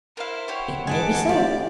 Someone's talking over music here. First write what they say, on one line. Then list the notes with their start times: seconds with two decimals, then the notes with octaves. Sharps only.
It may be so.
0.17 E4 A#4 C5 F5
0.48 G4 C#5 F#5
0.87 G#3 B3 F5 G#5 A5 D6
1.29 G4 D5